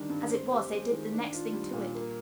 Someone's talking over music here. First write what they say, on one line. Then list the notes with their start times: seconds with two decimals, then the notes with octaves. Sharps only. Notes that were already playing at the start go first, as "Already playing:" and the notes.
As it was, they did the next thing to it.
Already playing: D3 D#3 G3 D4
0.09 G2
0.30 C4
0.51 G4
0.71 G#3
0.92 D#3
1.12 D4
1.33 F4
1.53 G3
1.73 A#2
1.95 A#3